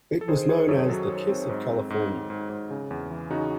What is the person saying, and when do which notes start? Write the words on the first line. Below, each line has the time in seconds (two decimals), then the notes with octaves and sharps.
It was known as the Kiss of California.
0.21 A4
0.28 D#3 G#4 C5
0.49 D#3 G#4 C5
0.68 F#2 A4 C#5
0.89 F#3 F#4 A4
1.09 F#3
1.29 C4
1.49 G#2
1.69 C4
1.90 G#2
2.10 G#2
2.30 G#2
2.50 G#2
2.70 C#3
2.91 E2
3.10 E3
3.30 C#3 D#4 F#4